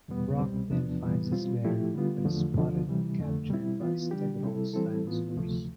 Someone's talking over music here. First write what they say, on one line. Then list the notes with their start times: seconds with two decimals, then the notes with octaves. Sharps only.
Brock then finds his lair, but is spotted and captured by Stegron's dinosaurs.
0.08 E2 B2 G3 B3
0.39 C2 B2 G3 C4
0.70 E2 C3 F3 B3 D4
1.01 F2 C3 E3 G3 B3
1.32 B2 G3 C4 F4
1.62 A2 F3 A3 E4 G4
1.94 D3 G3 B3 F4
2.25 E2 D3 F3 A3
2.57 D2 D3 F3
2.87 C3 E3 G3
3.18 F2 D3 A3
3.49 B2 G3 C4 E4
3.80 E3 B3 F4
4.11 D3 G3 D4 G4
4.43 C3 G3 C4 E4 A4
4.73 E3 G3 C4 E4 A4
5.04 A2 E3 B3 F4
5.36 D2 C3 F3 A3